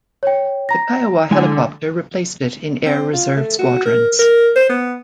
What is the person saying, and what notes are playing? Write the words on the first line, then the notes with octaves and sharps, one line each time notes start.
The Kiowa helicopter replaced it in Air Reserve squadrons.
C#5 G5
A#5 A#6
D3 G#3 E4 G#5
C4
F4
A3
F#4
A#4
A#4
C5
B3